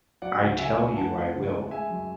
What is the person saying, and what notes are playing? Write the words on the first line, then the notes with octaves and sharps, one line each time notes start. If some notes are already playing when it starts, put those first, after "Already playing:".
I tell you I will.
F#3 D5 F#5
C#2
C#3 E5 G#5
A3
E3 F#5 A5
E2
C#3
G#3
G#3 E5 G#5
F#2